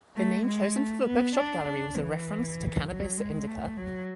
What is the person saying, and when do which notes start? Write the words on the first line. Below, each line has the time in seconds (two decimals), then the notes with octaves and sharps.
The name chosen for the bookshop-gallery was a reference to Cannabis indica.
0.16 A3
0.46 G#3
0.76 A3
1.06 B3
1.36 D4
1.67 D4
1.97 E3
2.87 F#3
3.17 G#3
3.48 A3
3.78 F#3